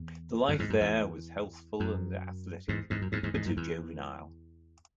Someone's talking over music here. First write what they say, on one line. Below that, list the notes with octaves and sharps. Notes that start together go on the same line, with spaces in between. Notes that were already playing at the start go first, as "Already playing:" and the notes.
The life there was healthful and athletic, but too juvenile.
Already playing: E2
F#2
E2 G#2
F#2
E2
F#2
E2 G#2
E2 G#2
F#2
E2 G#2
E2 G#2
E2 G#2
F#2
E2